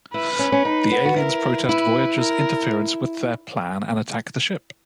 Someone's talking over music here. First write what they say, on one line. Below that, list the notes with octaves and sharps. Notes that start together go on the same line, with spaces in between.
The aliens protest Voyager's interference with their plan and attack the ship.
E4 B4
C#4
C#4
D#4
B3
F#4
E4 A#4
E4 B4
A#4